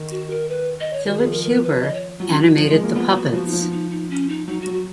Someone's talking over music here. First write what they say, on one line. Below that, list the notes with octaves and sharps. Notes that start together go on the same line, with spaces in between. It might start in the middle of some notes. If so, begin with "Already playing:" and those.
Phillip Huber animated the puppets.
Already playing: D#3
F#4
A#4
B4
D#5
C#5
D#3 F#4
G#4
F3
A#4
A#4
B4
D#5
C#5
F#3 F4
C#4
D#4
F3
G#3
A#3
B3 F4
F#4
F3 F#4
D#4
F3
D#4
D#4
D#4
C#4
D#4
F#3 D#4
F#4
F#3
F#4